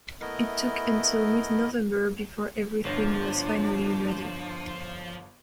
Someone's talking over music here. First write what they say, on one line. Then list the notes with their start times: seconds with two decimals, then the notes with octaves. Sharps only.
It took until mid-November before everything was finally ready.
0.21 A3 B3 E4 A#4 D#5
2.84 G1 F3 D4 C#5 A#6